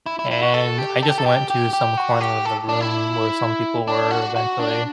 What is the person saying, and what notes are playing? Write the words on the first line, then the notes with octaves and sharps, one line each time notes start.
and I just went to some corner of the room where some people were eventually
E4
E4
E4
F#4
A4
G4
A4
G4
A4
G4
G4
G4
F#4
G4
A4
D4
E4
D4
F#4
F#4
D4